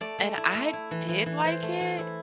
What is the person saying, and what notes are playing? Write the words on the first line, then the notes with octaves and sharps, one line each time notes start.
And I did like it,
A3 D5
A3
E4
A3
E4
E3
E3
E3
E3 C5
A3
E3
E4